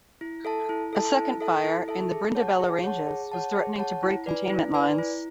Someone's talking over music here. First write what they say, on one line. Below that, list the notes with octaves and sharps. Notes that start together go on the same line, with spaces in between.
A second fire, in the Brindabella Ranges, was threatening to break containment lines.
E4
A4 E5 A5
E4
A4 E5 A5
E4
A4 E5 A5
E4
A4 E5 A5
G#4
C#5 F#5 A5
G#4
C#5 F#5 A5
G#4
C#5 F#5 A5
G#4
C#5 F#5 A5
E4
B4 D5 G#5
E4
B4 D5 G#5
E4